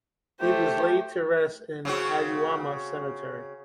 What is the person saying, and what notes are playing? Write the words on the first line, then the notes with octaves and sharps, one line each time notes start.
He was laid to rest in Aoyama Cemetery.
A3 G4 C5
C#3 C4 F#4